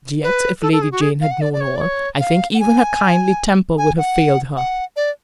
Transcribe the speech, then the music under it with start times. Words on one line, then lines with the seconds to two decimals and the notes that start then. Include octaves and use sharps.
And yet, if Lady Jane had known all, I think even her kindly temper would have failed her.
0.23 B4
0.62 A4
0.72 A4
0.82 G#4
0.92 F#4
1.01 G#4
1.21 F5
1.31 F#5
1.41 D5
1.53 D5
1.61 C#5
1.76 D5
1.81 C#5
2.20 F5
2.54 F#5
2.60 G#5
3.78 G#5
3.98 F#5
4.57 F#5
4.96 D5